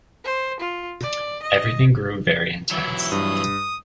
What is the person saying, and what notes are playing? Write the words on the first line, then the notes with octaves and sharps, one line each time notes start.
Everything grew very intense.
C5
F4
D5
D#5
E3 F#3 E4
G2 D#6